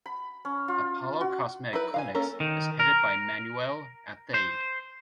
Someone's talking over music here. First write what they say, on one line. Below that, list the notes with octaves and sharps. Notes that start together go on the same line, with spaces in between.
Apollo Cosmetic Clinics is headed by Manuel Athayde.
B5
C#4
F4
F#4
D#4 E4 B4
F5 F#5 G#5
A#3 C#4 A4 A#4
D#3
A#4
C5